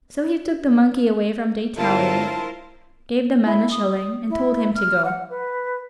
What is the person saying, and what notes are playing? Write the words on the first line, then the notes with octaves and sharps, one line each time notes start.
So he took the monkey away from the Italian, gave the man a shilling and told him to go.
G1 E4 F4 A#4 C5 A5
E4
D#6
E4
F6
F#5
B4